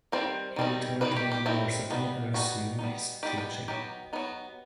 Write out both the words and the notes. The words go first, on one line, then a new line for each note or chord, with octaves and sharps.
He returned to the university and resumed his teaching.
D#3 G3 C4 C5
D#3 G3 C4 D#4
D#3 G3 C4 D#4 B4
G4
G4
D#3 G3 C4 D#4 E4
G3 B3 D#4
G3 B3 D#4 F#4
G3 B3 D#4
G3 B3 D#4 G4
B4
F#3 B3 D#4 G4
F#3 B3 D#4